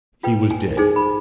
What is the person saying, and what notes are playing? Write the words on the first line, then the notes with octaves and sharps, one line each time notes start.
He was dead!
F4 B4 G5
G#5
D#4 G#4 C5 G#5
B5